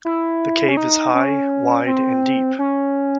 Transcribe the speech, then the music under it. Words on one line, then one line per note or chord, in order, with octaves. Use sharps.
The cave is high, wide, and deep.
E4
C#4
D#4
C#4
C4
C#4